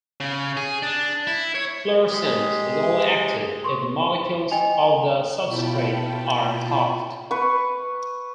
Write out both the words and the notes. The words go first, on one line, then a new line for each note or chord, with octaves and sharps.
Fluorescence is only active if the molecules of the substrate are halved.
C#3
G#4
D4
E4
C#5
G#3 G4 G#4
C6 C#6
D#5 G5 G#5 F7
B2 E4 F4 G5 A5 B5
B4 C#6